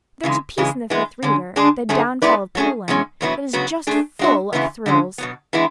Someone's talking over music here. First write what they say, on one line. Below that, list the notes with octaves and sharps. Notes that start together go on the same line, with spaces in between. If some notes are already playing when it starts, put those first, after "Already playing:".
There is a piece in the Fifth Reader--'The Downfall of Poland'--that is just full of thrills.
C#3 E3 G#3
C#3 E3 G#3 C#4 G#4
E3 G#3 B3
D3 G#3 C#4
D3 G#3 D4 G#4
F#2 D3 A3 C#4 G#4
G#3 B3 E4 B4 D5
F#3 A3 C#4 G#4
E2 B2 G#3 C#4
E2 B2 F#3 B3 E4
C#3 F#3 B3 F#4
A3 D4 G#4
G#3 D4 F#4 C#5 E5
E2 C#3 E3 G#3 B3
D3 G#3 C#4
B2 F#3 B3
E3 G#3 B3 E4